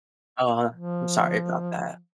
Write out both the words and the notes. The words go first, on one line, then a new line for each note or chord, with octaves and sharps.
Uh, I'm sorry about that.
F3